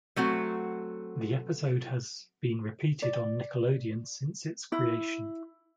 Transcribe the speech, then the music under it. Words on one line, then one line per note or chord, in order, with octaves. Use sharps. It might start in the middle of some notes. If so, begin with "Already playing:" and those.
The episode has been repeated on Nickelodeon since its creation.
F#3 A3 C4 F#4
D5
E4